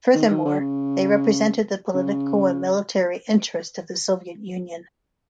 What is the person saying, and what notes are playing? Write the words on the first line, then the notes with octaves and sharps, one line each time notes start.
Furthermore, they represented the political and military interests of the Soviet Union.
D#3
D#3
D3
C#3
C#3